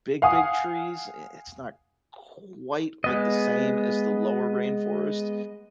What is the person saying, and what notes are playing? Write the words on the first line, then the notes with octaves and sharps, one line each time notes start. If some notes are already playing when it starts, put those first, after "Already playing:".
big, big trees, i it's not quite like the same as the lower rainforest,
F5 F#5 G#5 D#6
G#3 B3 D#5